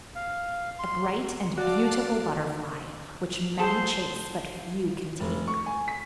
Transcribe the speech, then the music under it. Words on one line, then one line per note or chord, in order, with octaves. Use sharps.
A bright and beautiful butterfly, which many chase but few can take.
F5
C6
F#4 D5 F5 A5
G#4 A4 C5 A5
F1
C#6
G#5
B6